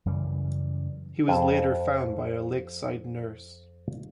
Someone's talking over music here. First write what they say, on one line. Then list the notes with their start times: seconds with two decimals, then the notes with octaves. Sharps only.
He was later found by a Lakeside nurse.
0.06 F#2 C#3 E3 G3
1.28 F2 G#4 G5 A5